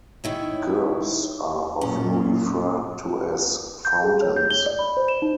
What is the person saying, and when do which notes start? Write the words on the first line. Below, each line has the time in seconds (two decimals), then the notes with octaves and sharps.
Gerbs are often referred to as 'fountains'.
0.24 D#3 E4 C#5
1.81 F#2 A#2 C#4
3.85 G6
4.02 G#4
4.22 C#5
4.36 G6
4.51 G7
4.66 D5
4.79 B5
4.97 C5
5.08 E7
5.22 D#4